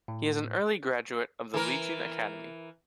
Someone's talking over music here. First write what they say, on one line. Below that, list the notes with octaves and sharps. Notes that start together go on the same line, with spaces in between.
He is an early graduate of the Legion Academy.
A2
E3 A#4